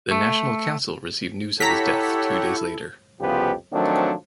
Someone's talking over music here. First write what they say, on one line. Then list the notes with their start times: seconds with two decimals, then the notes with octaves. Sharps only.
The National Council received news of his death two days later.
0.11 A3
1.60 E4 G4 A4 C#5 F#5 A#5 B6
3.21 C2 F2 C#3 F3 B3 G4
3.73 D#3 F3 F#3 A3 C4 D4